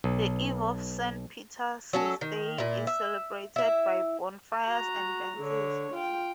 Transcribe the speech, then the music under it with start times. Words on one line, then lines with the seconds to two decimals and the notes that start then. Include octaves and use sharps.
The Eve of St. Peter's Day is celebrated by bonfires and dances.
0.04 B1
1.93 F#3 C#4 A4
2.21 D#3
2.58 A#2 E4
2.87 E5
3.56 E4 E5
4.66 F#4 A#5
5.37 D3 C#5
5.93 F4 G5